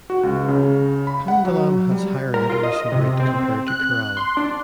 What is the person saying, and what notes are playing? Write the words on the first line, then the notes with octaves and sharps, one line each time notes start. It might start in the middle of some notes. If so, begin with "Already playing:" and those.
Pandalam has higher literacy rate compared to Kerala.
F#4
C#2
C#3
B5
F#5
F#3
G3
A#4
F4
D#5
C3
C4
F#6
C6
D4